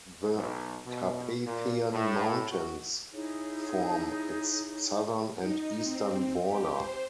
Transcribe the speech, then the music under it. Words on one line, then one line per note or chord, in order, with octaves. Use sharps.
The Carpathian Mountains form its southern and eastern border.
B1
B2
A#2
A2
F#4
D#4 E4 G#4 C#5
D#4
C4
G4
C5